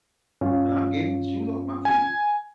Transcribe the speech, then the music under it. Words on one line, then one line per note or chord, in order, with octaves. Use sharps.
and I've gave 'em the shoes off my feet,
G2 C#4 F4
G#5